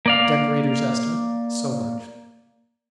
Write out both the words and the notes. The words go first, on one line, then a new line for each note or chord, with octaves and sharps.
Decorator's estimate, so much.
A#3 D5 F5